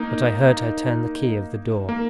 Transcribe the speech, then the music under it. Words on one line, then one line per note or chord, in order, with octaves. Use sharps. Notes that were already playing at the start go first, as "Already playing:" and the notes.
But I heard her turn the key of the door.
Already playing: A#3 D#4
A#3